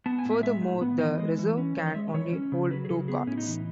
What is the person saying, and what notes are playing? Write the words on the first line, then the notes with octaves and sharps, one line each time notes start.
Furthermore, the reserve can only hold two cards.
B3 A5
G#5
A2
E5
G#3 E5
A2
B3
E3 D#5
G#3
E3
C#4
E3 C#5
D#5
G#3 E5
E3 C#5
C#4
C#3
F#3 B4
G#4
C#3 A4
B3 G#4
A2 C#4
E4
D#4
E3